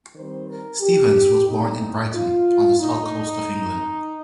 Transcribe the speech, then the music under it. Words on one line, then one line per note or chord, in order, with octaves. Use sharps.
Stevens was born in Brighton on the south coast of England.
D#3 G3 C4 C5
A#4
G4
A2 A3 C4 D#4
F4
A#2 A3 D4 D#4